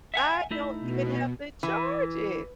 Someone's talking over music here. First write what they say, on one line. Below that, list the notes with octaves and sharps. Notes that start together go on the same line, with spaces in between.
I don't even have to charge it!
E5 F#5 G#5
A3 D#4 E4
B2
E3